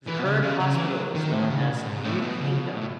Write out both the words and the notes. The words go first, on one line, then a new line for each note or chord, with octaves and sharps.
The current hospital is known as the "New Kingdom".
E3
B2
C#3
C#3
C#3
E3
F#3
D#3
A2
C#3
B2
G#2
A2
B2
C#3
B2
A2